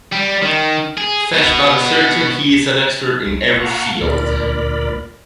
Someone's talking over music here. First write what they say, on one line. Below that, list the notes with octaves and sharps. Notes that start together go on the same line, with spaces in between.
Feshbach asserted, He is an expert in every field.
G3
D#3
G#4
B2 B3
F5 F#5 A5 A#5 C#6
D2 A#2 A#4 D5 B5